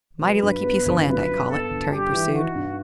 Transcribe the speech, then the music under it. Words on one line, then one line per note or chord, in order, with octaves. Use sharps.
"Mighty lucky piece of land, I call it," Terry pursued.
F#3 B4
G2
B3
G1
F#3 B4
G2
B3 A4
G1
G3 G4
E3
D#4 F#4
G2